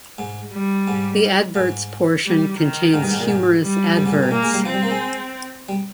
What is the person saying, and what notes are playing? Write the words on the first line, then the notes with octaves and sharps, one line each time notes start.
The "Adverts" portion contains humorous adverts.
G#2
G3
G#2
G#2
G3
D#3
G#2
G2
G#2
A#2
G#2
G3
G2
G#2
A#2
C3
A#2 A#3
G#3
G3
F3 C4
G3
A#3
G#3
G3